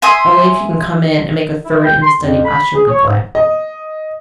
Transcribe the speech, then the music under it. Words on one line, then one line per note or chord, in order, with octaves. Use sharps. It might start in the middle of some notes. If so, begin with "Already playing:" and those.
Only, if you can come in and make a third in the study, I shall be glad.'
E5 G#5 C6 D#6
E4
G5
C6
F2
B5
G#4
C#5
G#2
D#5